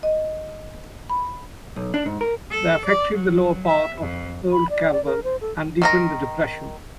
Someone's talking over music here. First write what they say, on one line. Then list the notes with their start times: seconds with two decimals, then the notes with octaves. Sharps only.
The affected the lower part of old Carver and deepened the depression.
0.03 D#5
1.10 B5
1.76 B1
1.94 D4
2.06 G#2
2.21 A#4
2.50 A4
2.84 D5
3.14 F#3
3.67 E5
4.00 F2
4.52 B5
4.70 D5
4.92 D5
5.05 A#4
5.24 C5
5.41 A4
5.82 D#3 A#4 A#5